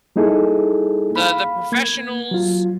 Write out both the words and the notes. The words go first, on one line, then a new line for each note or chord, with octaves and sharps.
The the professionals,
G3 A#3 D#4 E4 G#4 A4
F5 B5
A#3 G#6
F#3 F4